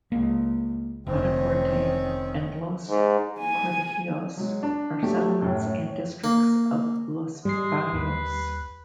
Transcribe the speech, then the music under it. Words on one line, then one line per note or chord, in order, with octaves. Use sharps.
Guadacorte and Los Cortijillos are settlements and districts of Los Barrios.
C#2 A#3
F1 D#3 C4 C#4
G#2
G#5
F#3 G#3
D4
F#3 A3 G4 A4
F#2 A2
C#5
A#3
G#2 G3 G#3 C7
D#2 B4